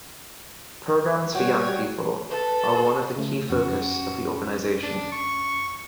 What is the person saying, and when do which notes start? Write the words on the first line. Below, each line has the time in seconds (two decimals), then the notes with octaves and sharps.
Programmes for young people are one of the key focus of the organisation.
1.35 G3 F#4 C#5 G5
2.31 A4 B4
3.16 C#3 A3
3.50 F2 C#4 F#4
4.83 D4
5.12 C#6